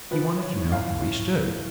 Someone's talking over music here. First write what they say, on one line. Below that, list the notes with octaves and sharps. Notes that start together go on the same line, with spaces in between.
He wanted to know how he stood.
F3 B4
C#5
A2
F5
A2
A2